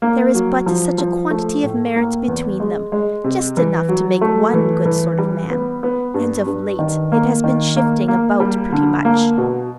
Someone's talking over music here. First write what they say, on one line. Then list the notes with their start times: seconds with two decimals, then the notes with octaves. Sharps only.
There is but such a quantity of merit between them; just enough to make one good sort of man; and of late it has been shifting about pretty much.
0.02 A#3
0.34 F#3
0.66 F3
0.98 F3
1.31 A3
1.63 A2
1.96 A#3
2.28 E2
2.60 G#3
2.92 G#3
3.24 C3
3.57 E3
3.89 F#3
4.21 A3
4.53 E3
4.86 E3
5.19 G3
5.50 B3
5.83 B3
6.14 G2
6.46 G2
6.79 D#3
7.12 A#3
7.44 D#3
7.76 A#3
8.08 A#3
8.40 G3
8.72 D3
9.05 A#3
9.38 B2